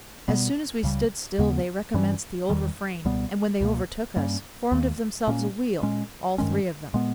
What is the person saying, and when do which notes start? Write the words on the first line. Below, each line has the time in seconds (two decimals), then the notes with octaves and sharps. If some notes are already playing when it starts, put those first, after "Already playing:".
As soon as we stood still, they recommenced The old refrain, and when they overtook us, Formed of themselves a wheel, all three of them.
0.28 B2 G3 B3
0.83 C#2 C#3 G3
1.38 D#2 C#3 G#3 B3
1.94 G2 E3 G3 C#4
2.50 E2 D#3 G3
3.05 C#2 B2 G3 B3
3.61 C#2 B2 A#3
4.16 G2 G3 A#3 C#4
4.71 D#2 D#3 A#3
5.27 A#2 A#3 C#4
5.82 A#2 G#3 C#4
6.38 G2 D#3 G#3 C#4
6.94 A#2 G#3 B3